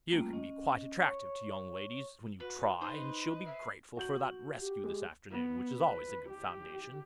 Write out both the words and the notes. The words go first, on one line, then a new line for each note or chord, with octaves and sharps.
You can be quite attractive to young ladies, when you try, and she'll be grateful for that rescue this afternoon, which is always a good foundation.
G3 A3 A#3 C#4 F4
C#4 D#5
C#5 C#6
F#4 B4
D#4 B4 C5 D#5 C6
E5 C7
F#4 G6 F#7
G4
G#3
B3
B4
G4